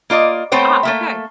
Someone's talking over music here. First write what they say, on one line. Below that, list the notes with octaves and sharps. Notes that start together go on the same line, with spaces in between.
Ah, okay.
A#3 F4 D5 D#5
A3 B3 C4 C5 C#5 G5
A3 A#3 E5